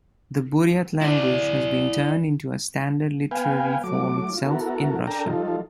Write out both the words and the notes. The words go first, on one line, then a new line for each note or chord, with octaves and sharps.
The Buryat language has been turned into a standard literary form itself in Russia.
E4 D5
B3 B4 F5 G5 G#5
F#3 A3 D6
F4
B3 E4 F#4 A4 A#4
D4 A4 A#4 G5 A#5
F3 G3 D#4 F4 A4